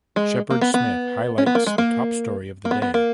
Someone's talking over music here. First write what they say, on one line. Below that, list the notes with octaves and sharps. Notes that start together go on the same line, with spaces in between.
Shepard Smith highlights the top story of the day.
G#3
A#3
B3
B3
C#4
B3
A#3
G#3
A#3
A#3
B3
B3
A#3